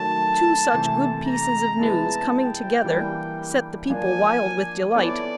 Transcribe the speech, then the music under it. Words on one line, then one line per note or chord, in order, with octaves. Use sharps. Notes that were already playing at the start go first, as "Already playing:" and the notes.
Two such good pieces of news coming together set the people wild with delight.
Already playing: D#3 F#3 A3 A5
C3 E3 A3 C4 E4
A#5
G#3 B3 E4 G#4 B4 A5
G5
E3 G3 A#3 D4 G4
F3 A#3 D4 G#5
B3 E4 A4 C#5 D5